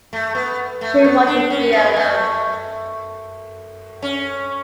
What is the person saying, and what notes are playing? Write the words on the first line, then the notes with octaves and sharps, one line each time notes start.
She wanted to be alone.
A3
B3
A3
B3
D4
C#4
B3
A3
C#4